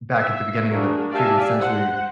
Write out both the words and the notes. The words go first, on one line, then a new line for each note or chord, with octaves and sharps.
back at the beginning of the previous century,
E5
A#3 D4 F#4 G#4
G4 D5 E5 F5 G#5 A5
C5 F#5